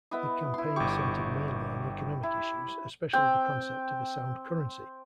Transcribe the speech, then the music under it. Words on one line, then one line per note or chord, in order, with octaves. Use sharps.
The campaign centered mainly on economic issues, especially the concept of a sound currency.
B3 E4 D#5
E4 C6
G1 G4 C#5 C#6
E4
C4 G5